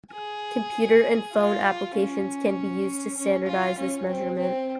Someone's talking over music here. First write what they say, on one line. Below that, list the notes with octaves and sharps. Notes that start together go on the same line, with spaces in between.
Computer and phone applications can be used to standardize this measurement.
G#4
F4
C#4
C#4
F4
C#4
C4
C4